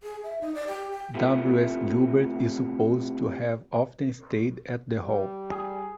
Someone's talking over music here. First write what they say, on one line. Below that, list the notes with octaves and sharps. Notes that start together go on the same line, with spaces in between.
W. S. Gilbert is supposed to have often stayed at the Hall.
G#4
E5
D#4
D5
G4
G5
A2 C3 F3 A3 B3
G3
G#4